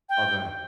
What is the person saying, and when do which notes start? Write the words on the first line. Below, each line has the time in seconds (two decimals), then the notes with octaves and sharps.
Oh, go ahead.
0.09 G5